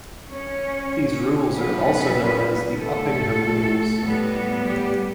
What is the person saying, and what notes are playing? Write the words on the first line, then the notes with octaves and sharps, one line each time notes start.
These rules are also known as the Uppingham Rules.
C#4 C#5
F#2 C#3 F#3 B3 B4
A3 A4
A2 G3 B3
G3 G4